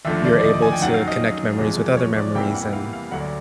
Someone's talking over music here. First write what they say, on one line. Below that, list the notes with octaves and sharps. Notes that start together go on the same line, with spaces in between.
you're able to connect memories with other memories, and,
D#2 D3 F3 A3 E5
D5
D5
D#5
D5
G#5
G5
F#2 D#3 F#3 F#5
F5
D#5
E2 C3 F3 G#3
C#5
D5
E2 C3 E3 G3 A#3 G5
F#5
F5
F5
D2 D3 F#3 F#5
D5